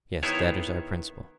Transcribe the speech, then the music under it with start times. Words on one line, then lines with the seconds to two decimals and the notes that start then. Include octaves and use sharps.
Yes; that is our principle.
0.23 D#3 B3 E4 G#4 C5 C#5